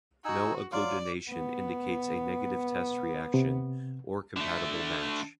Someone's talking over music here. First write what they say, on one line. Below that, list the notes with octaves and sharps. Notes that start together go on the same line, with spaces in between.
No agglutination indicates a negative test reaction, or compatible match.
D#4 F#4 G#5 E6
F#3 F4 D5 F5
B3
C3
D3 A3